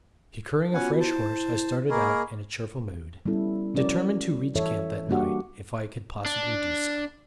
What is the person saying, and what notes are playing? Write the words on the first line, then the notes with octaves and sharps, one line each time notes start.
Procuring a fresh horse, I started out in a cheerful mood, determined to reach camp that night if I could possibly do so.
B3 C#4 F4 F#4 F#5 G#5
E4 C5 A5
A#3 G#4 A#4 D#5 B5 C#6
G3 B3 C#4 E4 A4
F3 C#4 F#4 A#4 D5
E3 A4 C#5 E5
G3 A#3 D4 F#4 G4 F#5
D4